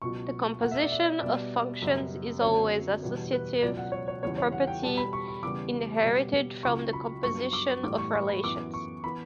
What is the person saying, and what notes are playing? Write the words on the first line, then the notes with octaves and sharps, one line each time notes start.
The composition of functions is always associative-a property inherited from the composition of relations.
C#2 B2 F#3 C#6
B2 A3 F#5
E5
D5
E5
B2 G3 B3 D5
F#2 C#3 G3 B3
F#2 D3 F#3 B3 C#5
E2 B2 G3 B3
B4
C#2 B2 F#3 D5
F#5
C#5
C#5
E2 C#3 G3 B3 C#5
C#5
F#5
G5
B2 G3 B3 A5
B5
C#6
C#6
E2 C#3 G3 B3 D6
B2 G3 B3
C#2 C#3 F#3 C#6
B5
G2 F#3 B3 C#6
D6
A2 E3 G3 B3 D6
C#6
C#6
B5
F#2 E3 B3 D6
C#6
E3 B3 B5